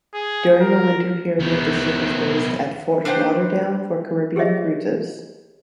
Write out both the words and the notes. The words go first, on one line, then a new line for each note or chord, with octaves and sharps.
During the winter period the ship is based at "Fort Lauderdale" for Caribbean cruises.
G#4
A#4
D#3 B3
D4 B4 C5 F#5 G5
G4 G#4 C#5 D#5 E5